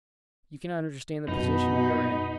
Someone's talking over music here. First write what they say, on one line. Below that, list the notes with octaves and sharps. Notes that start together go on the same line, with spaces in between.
You cannot understand the position we are in.
F#2 B2 D#4 B5